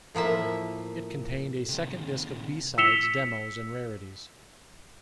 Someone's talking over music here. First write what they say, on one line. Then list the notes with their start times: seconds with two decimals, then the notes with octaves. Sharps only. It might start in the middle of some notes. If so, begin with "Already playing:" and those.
It contained a second disc of B-sides, demos and rarities.
0.15 A2 F3 A#3 E5
1.69 C3 D#3
2.78 E6 B6 C#7 E7 F7 G7